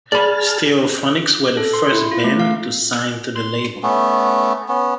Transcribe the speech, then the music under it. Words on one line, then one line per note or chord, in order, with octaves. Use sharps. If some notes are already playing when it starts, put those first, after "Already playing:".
Stereophonics were the first band to sign to the label.
G#4 D5 A5 B5 F6
A4
C6
E4
F4
A3
F5
C6
A3 B3 C#4
B3 C#4